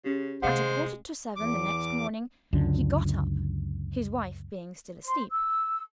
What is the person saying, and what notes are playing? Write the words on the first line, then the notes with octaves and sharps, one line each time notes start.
At a quarter to seven the next morning, he got up; his wife being still asleep.
C#3 C#4 G4
C3 D#3 G#3 A3 C5 F5 F#5
E2 D6
C#2 F#2 D3
C5 C6
E6